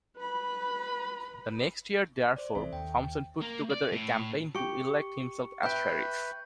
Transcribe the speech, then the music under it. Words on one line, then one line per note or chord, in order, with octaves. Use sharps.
The next year, therefore, Thompson put together a campaign to elect himself as Sheriff.
B4 B5
C5 D5
C2 E3 C4 A4 E5
D#2 G5
A#3
D5
A2
G4 C#6 C#7
B4 E5 G5 G6